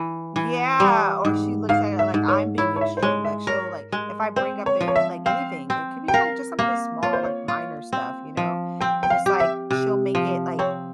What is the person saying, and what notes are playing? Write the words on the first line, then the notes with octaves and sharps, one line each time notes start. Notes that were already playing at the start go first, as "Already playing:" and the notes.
Yeah, or she looks at it like I'm being extreme, like she'll like if I bring up it like, anything, it could be like just something small like minor stuff, you know, and it's like she'll make it like
Already playing: E3
E3
G3
G#2
G#2 F5
E5
G#2
C#5
E4 C#5
C#5
E5
C5
G#3 C#5
E5
A#4 C#5
G#3
C4 C5
C#5
F3
C#5
E5
C4 F5
C4
G5
A#4 F5
A#3 F5
F4 C#5
C5
C#5
F4
C4
F3
C4 G5
G5
F5
G4
E5
C3
F3
C4 C#5